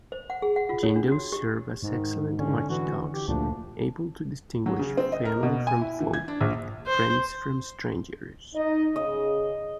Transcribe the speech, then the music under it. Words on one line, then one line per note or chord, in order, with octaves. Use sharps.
Jindos serve as excellent watchdogs, able to distinguish family from foe, friends from strangers.
C5
F#5
G#4
F#5
F4
C#5
D4
F#4
G4
G#2 D#3
D3 C#4
E3 F#4
G4
D2 A#2 D3 F3 D4
F#3
C#3
C4
D#5
A#4
B2
G#5
E4
E3
G#6
D4
A#1
C5
D#4 D#5
C#3 G#4 D#5